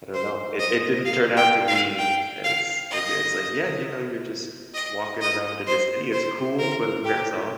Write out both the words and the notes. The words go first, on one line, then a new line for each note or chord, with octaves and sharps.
I don't know, i it didn't turn out to be as as good, it's like, "Yeah, you know, you're just walking around in the city, it's cool." But it wears off.
C5
D#5
F5
G5
F5
G5
F5
D#5
D#5
D#5
C5
C5
A#4
G4